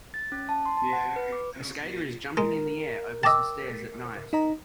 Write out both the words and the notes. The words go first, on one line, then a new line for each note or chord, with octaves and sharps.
A skater is jumping in the air over some stairs at night.
A6
C#4
A5
C6
A5
F#5
B4
D6
G#3 A#4
D#5 G5 A5 D6 E6
D#4 D#5 A#5